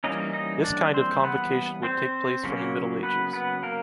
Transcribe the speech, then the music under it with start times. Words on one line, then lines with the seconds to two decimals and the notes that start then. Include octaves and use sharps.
This kind of convocation would take place from the Middle Ages.
0.04 E3 G3 A#3 C#4 D#4 D#5
0.33 D#4 D#5
0.64 D4 D5
0.94 C4 C5
1.24 B3 B4
1.83 C4 C5
2.44 C#3 F#3 A#3 C#4
3.03 B3 B4
3.33 B3 B4
3.63 A#3 A#4